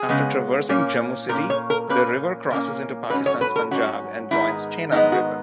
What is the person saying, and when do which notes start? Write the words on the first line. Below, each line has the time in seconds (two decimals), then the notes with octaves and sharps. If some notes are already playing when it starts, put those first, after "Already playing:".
After traversing Jammu city, the river crosses into Pakistan's Punjab and joins Chenab river.
Already playing: G#4
0.09 C#3 G#3 B3
0.69 A#2 A#3 C#4
1.29 A#2 A#3 C#4 A#4
1.50 C#5
1.70 A#4
1.89 A#2 A#3 C#4 B4
2.50 A#2 A#3 C#4
3.10 G#2 F#3 C#4 B4
3.26 C#5
3.41 B4
3.56 A#4
3.71 G#2 F#3 C#4 F#4
4.31 G#2 D#3 G#3 B3 E4
4.91 G#2 D#3 G#3 B3 D#4
5.12 F#4